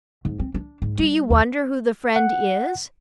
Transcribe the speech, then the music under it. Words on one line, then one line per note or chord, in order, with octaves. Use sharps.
Do you wonder who the friend is?
G#2
C4
D4
G#2
G3
D#2
F#5